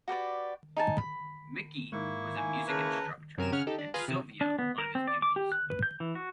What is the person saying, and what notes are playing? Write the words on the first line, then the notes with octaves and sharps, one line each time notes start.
Mickey was a music instructor and Sylvia one of his pupils.
F#4 G4 B4 D5
D#4 G#5 A5
B5
G#2 D#3 A#3 E4 C#6
D#3 G#5
C#3 B4 A5 A#5
F#2 C3 A#4 G#5 D#7 E7
C#3 C#4 C#5 F#5 F6
D#4 G4 A4
D4
F4 G#4 B4 G#5 A#5 F6
C3
D4
B3
A#4
C4
D5
D6
G4
F#6
B4
G6
E3
F#4